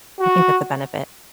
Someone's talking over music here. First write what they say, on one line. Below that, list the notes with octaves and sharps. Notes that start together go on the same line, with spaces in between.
I think that's a benefit.
F#4